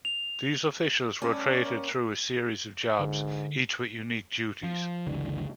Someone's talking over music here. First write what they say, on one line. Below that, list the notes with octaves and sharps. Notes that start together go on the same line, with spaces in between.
These officials rotated through a series of jobs, each with unique duties.
F7
G3 C#4 D5 A5
A#3
G#2 D3
F3
F#1 C#2 D3 E3